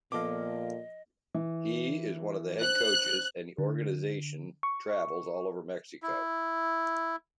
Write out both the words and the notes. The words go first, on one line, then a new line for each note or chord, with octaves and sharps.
He is one of the head coaches, and the organization travels all over Mexico.
A#2 F3 B3 A4 D#5 F5 D6
E3
C5 F#6
D3
C#6
E4